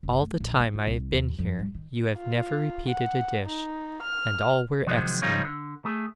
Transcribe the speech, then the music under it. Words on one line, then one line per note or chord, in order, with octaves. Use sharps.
All the time I have been here you have never repeated a dish, and all were excellent.
F#1
A3
A#1
A#3
F4
C2
D#2
F2
G2
D#3
F4
F#5
D#4
F6
C3 D#3 F3 F#3 G#3
C#3 F3 G3 D#4 F4 C#5
D3
A3 G#4